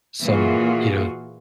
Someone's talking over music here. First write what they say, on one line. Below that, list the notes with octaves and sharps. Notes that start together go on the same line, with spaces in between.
some, you know
A#2 E3 A#3 F4 F#4 G#4